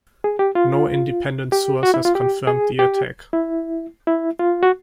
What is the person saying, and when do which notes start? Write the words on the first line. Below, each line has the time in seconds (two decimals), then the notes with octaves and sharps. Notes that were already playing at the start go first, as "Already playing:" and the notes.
No independent source has confirmed the attack.
0.24 G#4
0.39 G4
0.55 F4
1.52 G4
1.83 F#4
1.94 E4
2.05 F4
2.15 G4
2.47 G#4
2.79 G4
3.33 E4
4.07 E4
4.39 F4
4.63 F#4